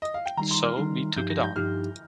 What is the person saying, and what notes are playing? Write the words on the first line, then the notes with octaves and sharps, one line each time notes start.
So we took it on.
D#5
F5
G5
D#3 G3 D#4 A#5
C6
F6
D#3 G3 D#4
G2 F3 D#4 G4 G6
A#6
G6
G2 F3 D#4 G4 F6